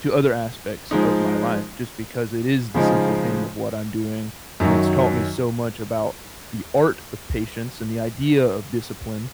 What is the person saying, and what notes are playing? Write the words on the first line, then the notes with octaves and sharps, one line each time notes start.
to other aspects of my life, just because it is the central theme of what I'm doing, and it's taught me so much about the art of patience and the idea of discipline
F3 G#3 D#4
C#3 F3 G#3 D#4
F#2 D#3 F#3